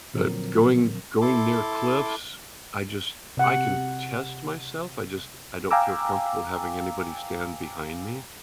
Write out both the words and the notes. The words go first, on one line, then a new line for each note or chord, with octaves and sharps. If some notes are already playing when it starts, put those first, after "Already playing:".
But going going near cliffs, I just I can test myself. I just I don't feel comfortable having anybody stand behind me.
A#2 D3 F3 F#3 C4 A#4
E4 A4 C6 D6
C3 F#5
F5 G5 G#5 A#5 D6 E6